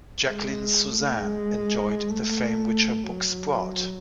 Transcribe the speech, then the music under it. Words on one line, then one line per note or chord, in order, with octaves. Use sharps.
Jacqueline Susann enjoyed the fame which her books brought.
G#3
A3
G#3
A3
F#3